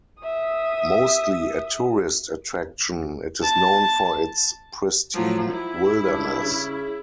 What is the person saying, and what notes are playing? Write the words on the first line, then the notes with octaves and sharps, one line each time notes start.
Mostly a tourist attraction, it is known for its pristine wilderness.
E5 D#6
A5
F3 F#3
E4
G2
C#3